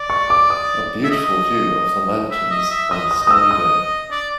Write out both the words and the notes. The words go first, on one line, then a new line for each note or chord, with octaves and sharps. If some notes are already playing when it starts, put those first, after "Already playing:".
A beautiful view of the mountains on a snowy day.
Already playing: D5
C#6
D6
D#6
E5
D#5
E5
D#5
E5
D#5 D#6
D#6
D#5
D#6
E6
D#5
D#6
D5